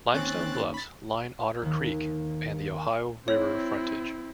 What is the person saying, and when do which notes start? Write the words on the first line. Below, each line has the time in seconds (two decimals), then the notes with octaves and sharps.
Limestone bluffs line Otter Creek and the Ohio River frontage.
0.14 D#2 C4 C#4 F#6 A6
0.74 B5 A6
1.62 D#2 D#3
3.28 C4 E4 C#5